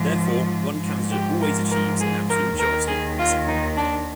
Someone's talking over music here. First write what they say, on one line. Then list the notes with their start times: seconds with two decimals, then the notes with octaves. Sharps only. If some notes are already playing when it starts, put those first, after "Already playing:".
Therefore, one candidate always achieves an absolute majority in the second round.
Already playing: G#2 F3
0.82 G#2 F3
1.11 G4
1.40 A#4
1.70 A#4
1.99 G#4
2.29 A#4
2.58 D#2 D#3 A#4
2.87 G#4
3.17 F4
3.47 D#4
3.76 D4